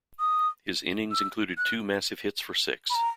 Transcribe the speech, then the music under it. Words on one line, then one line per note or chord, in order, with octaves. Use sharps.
His innings included two massive hits for six.
D#6
E6
F#6
B5
A#5